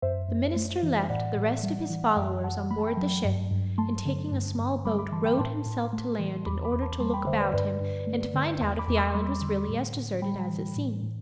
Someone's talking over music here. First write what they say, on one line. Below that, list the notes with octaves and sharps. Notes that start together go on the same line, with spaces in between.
The minister left the rest of his followers on board the ship, and taking a small boat rowed himself to land, in order to look about him and to find out if the island was really as deserted as it seemed.
F#2 C5 E5
F#2
A3
E3
G5
A2 D5 F#5
A2
G3
E3
F#5
F#2 E5 G5
F#2 F#5 A5
A3 B5
A5
G5 B5
F#3
G2
G2
A3 A5 C6
D3
G2
G2
G3 B5 D6
B5 D6
E3 A5 C6
G5 B5
D6
A2 A5 C6
A2
A3
E3
E2 B5 D6
B5 D6
E2
A5 C6
G3 A5 C6
G5 B5
D3 C5 E5
B4 D5
G2 B4 D5
G2
A3
D3
E2 A5 C6
B5 D6
E2
C6 E6
G3 B5 D6
D3
A2
A2
G3 G5 B5
E3
A2
A2